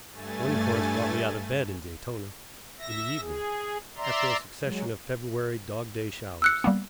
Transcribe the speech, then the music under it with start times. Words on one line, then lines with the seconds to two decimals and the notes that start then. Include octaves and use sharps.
One chorus brought me out of bed in Daytona--in the evening--after a succession of February dog-day showers.
0.11 G2 A3 G#5 A6
2.79 E5 A#6
3.21 G#4
3.97 D5 E5 A#5 C6
4.61 F#3 G#3
6.42 E6 F#6 C#7
6.64 G3 A#3 B3